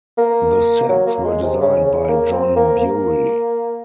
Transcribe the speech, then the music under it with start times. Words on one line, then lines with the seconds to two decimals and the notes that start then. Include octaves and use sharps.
The sets were designed by John Bury.
0.18 A#3
0.89 F#3
1.07 A#3
1.25 G#3
1.43 C3
1.61 C#3
1.85 C#3
2.09 A#3
2.32 C4
2.56 A#3
2.79 A#3